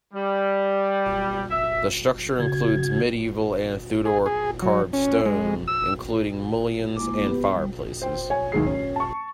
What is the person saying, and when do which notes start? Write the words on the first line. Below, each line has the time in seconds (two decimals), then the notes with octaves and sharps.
The structure includes medieval and Tudor carved stone, including mullions and fireplaces.
0.14 G3
1.51 E5
2.40 C#3 F#4 G#6
4.06 G#4
4.26 G#4
4.62 F#3
4.93 C#4
5.26 G#3
5.68 E6
6.96 G#3 A#3 E4 D6
7.24 B3 G4 B4
7.50 G3
8.02 C5 G5
8.30 C#5 G#5
8.52 D1 D#2 G#2 G#4 C7
8.66 C#4
8.96 A5 C#6